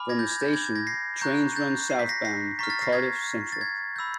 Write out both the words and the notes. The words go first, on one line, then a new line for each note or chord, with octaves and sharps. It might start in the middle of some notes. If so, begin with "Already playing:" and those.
From the station, trains run southbound to Cardiff Central.
Already playing: G#5 B5 D6 F6
G#6 A#6
G6 A6
G#6 A#6
G6 A6
G#6
G#6
G#6 A#6
A#6 C7
A#5 C#6 F#6 G6
G6 A6
C7
B6
A#6 C7
A#6 C7
A#5 C#6 F6 A6 B6
A6 B6
A#6 C7
G#6 A#6
A6
G#6
B5 E6 G6